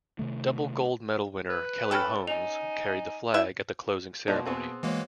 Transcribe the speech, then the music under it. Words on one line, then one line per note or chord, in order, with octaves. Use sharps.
Double gold medal winner Kelly Holmes carried the flag at the closing ceremony.
C3 D#3 A3
B4
C#4 A4 G5 A5 B5 F6
D#4 D#5 G#5 F7
E4 D5 E5
B2 G3 A#3 D4 D#4 C6
B3 C4 G#4
E3 G#3 A#3 F#4 C#5